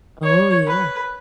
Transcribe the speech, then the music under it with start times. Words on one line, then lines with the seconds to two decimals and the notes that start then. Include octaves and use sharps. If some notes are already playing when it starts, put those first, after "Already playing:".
Oh, yeah.
0.23 C#5
0.67 B4